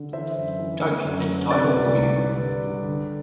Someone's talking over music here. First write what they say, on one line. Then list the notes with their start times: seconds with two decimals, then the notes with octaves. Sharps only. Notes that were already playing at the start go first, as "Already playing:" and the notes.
Don't let the title fool you.
Already playing: D3
0.13 E3 C5 E5
0.37 F#2
0.59 E3
0.82 D3
1.05 F#2
1.27 D3
1.50 C3 B4 D5
1.73 C2
1.97 C2
2.19 D3 B4 D5
2.42 G2
2.65 D3
2.88 D3